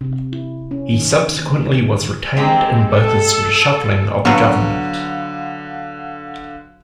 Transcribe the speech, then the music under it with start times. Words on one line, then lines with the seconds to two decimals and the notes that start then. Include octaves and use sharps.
He subsequently was retained in Botha's reshuffling of the government.
0.01 C3
0.33 E4
0.71 C#4
0.93 D#3
1.37 D#3
1.85 D3
2.37 G#3 C4 G4 A#5
2.88 A4
4.25 D3 F#3 B3 A4 B4 F5 F#5